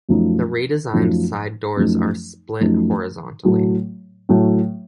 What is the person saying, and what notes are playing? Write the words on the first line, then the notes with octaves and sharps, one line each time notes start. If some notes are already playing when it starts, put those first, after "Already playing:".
The redesigned side doors are split horizontally.
F#2 F3 A3 D#4
F#2 F3 A3 D#4
F#2 F3 A3 D#4
F#2 F3 A3 D#4
A2 F#3 A3
A2 F#3 A3